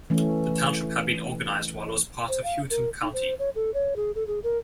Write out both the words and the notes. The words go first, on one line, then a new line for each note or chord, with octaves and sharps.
The township had been organized while it was part of Houghton County.
E3 A3 C#4
C5
F5
A#4
D#4
C5
C#5
A4
C#5
G#4
A4
G#4
A#4